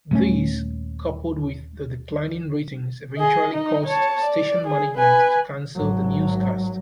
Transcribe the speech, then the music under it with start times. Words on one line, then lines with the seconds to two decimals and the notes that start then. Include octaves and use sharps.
This, coupled with the declining ratings, eventually caused station management to cancel the newscast.
0.11 D#1 A3 C#4
3.17 G#4 D#5
3.54 D#4
3.86 C#5 A5
4.24 D5
4.67 G#4
4.97 B4 G#5
5.76 G#1 F#3